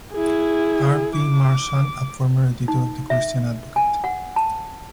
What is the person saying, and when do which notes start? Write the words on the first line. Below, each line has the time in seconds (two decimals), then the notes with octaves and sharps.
R. P. Marshall, a former editor of the Christian Advocate.
0.13 E4 G#4
1.17 D6
2.68 D#4
3.10 E5
3.76 G#5
4.04 F#5
4.36 A5